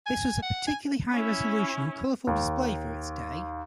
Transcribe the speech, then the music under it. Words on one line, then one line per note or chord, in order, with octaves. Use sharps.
This was a particularly high-resolution and colorful display for its day.
G#5
F#5
G#5
C#4 E4
D#2